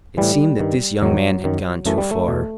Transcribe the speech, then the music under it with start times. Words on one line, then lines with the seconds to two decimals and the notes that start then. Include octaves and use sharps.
It seemed that this young man had gone too far.
0.17 A2 E3 G3
0.60 G2 D#3
1.02 E2 D#3 F#3
1.44 F#2 D#3
1.86 F#2 E3 A3
1.98 G3
2.11 A3
2.28 E2 B2